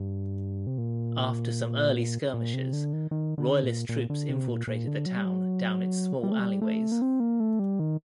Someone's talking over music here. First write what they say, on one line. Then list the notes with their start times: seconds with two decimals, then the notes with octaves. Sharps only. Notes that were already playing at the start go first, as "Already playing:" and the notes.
After some early skirmishes, Royalist troops infiltrated the town down its small alleyways.
Already playing: G2
0.67 C3
0.78 A#2
2.34 A#2
2.54 C3
2.73 D3
2.93 D#3
3.11 D#3
3.38 D3
3.63 A#2
3.89 A#2
4.10 D3
4.29 C3
4.47 A#2
4.67 A#2
4.88 D3
5.06 F#3
5.17 G3
5.25 F#3
6.23 G3
6.32 A3
6.39 G3
6.62 A3
6.92 A#3
7.02 C4
7.20 A#3
7.40 A3
7.59 G3
7.79 D#3